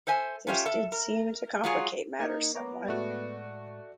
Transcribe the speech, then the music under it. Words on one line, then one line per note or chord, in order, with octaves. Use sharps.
This did seem to complicate matters somewhat.
A4 C5 E5 G#5
A3 C#4 F4 G4 E5
A4 E5
A#4
F#3 G#3 F4 F#4 G#4
A#3 D#4 F6 G#6 C#7
B3 C#5 A#5 D6
A2 G#3 A3 F#4 D5